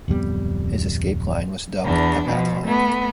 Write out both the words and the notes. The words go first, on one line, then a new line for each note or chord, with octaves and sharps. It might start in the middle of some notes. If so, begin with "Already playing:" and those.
His escape line was dubbed the Pat Line.
D1 F2 G3 B3
E2 D4
B2 F3
A3 B3